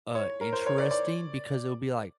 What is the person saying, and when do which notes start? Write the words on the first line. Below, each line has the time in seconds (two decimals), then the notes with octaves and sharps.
uh, interesting because it'll be, like,
0.15 C#5
0.41 A#4
0.53 C5
0.66 C#5
0.78 D5
0.91 D5